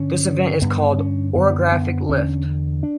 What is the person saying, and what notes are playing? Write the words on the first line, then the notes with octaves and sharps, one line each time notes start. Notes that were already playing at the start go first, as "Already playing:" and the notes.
This event is called orographic lift.
Already playing: G2 D3 C#4
G2 D3 B3
C#4
F#2 D3 B3
B3
E2 D3 C#4
D4